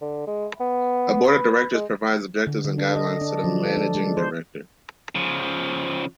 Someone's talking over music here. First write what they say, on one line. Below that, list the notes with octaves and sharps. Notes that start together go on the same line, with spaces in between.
A Board of Directors provides objectives and guidelines to the Managing Director.
D3
G#3
B3
B4
G#3
D3
D3
D4
D#5
D4
F3
A4
D4
G#3
C5
C#3 F3